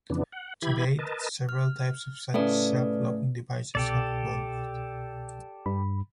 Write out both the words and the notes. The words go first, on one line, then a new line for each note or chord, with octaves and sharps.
To date, several types of such self-locking devices have evolved.
F2 C#3 E3 B3 D4
F#5
E3 E4 G4 B5 G#6
A#4 B4 D#5 A5
F6
A2 C#3 A4 B4 D5
C2 B2 G4 A4 D5
G2 B5